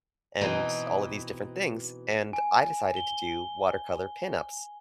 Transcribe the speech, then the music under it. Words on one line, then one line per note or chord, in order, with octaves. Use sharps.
and all of these different things, and I decided to do watercolor pin-ups.
B2 E3 C4 D#4
G#5
G7